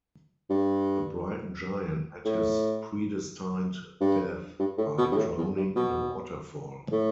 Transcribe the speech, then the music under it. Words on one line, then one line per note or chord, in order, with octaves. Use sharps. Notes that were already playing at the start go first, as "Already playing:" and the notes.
The Briton giant met his predestined death by drowning in a waterfall.
G2
A2
G2
G2
A2
B2
G2
A2
E2
G2
B2
A2